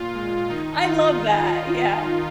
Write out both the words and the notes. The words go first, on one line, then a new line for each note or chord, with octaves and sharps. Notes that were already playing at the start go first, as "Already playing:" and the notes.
I love that. Yeah.
Already playing: A#2 F4
G#3
D#3 D#4
D#3 F4